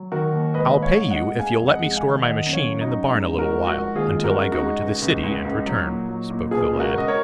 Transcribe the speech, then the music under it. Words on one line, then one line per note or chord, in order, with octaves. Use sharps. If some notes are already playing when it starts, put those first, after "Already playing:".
"I'll pay you if you'll let me store my machine in the barn a little while, until I go into the city, and return," spoke the lad.
Already playing: F#3
D#3 F#4 A#4
D#2
G#2 B4 D#5
G#2
C#5 F5
G#2
D#5 F#5
G#2
G#3 F5 G#5
F2
D#5 F#5
G#3
F5 G#5
D#3
D#3 D#5 F#5
F#2
C#5 F5
F#3
D#4 F#4
F#2
G#3 D#4
G#2
F#4 A#4
F3
F#4 A#4
G#2
D#2 F4 G#4
G#3
F#4 A#4
C#3
D#4 F#4
G#3
C#2
C#2
C#2
C#2
F#3
A#2
F#3
A#2
B2 F4 G#4
C#2
F#4 A#4
C#2 D#5
A#4 C#5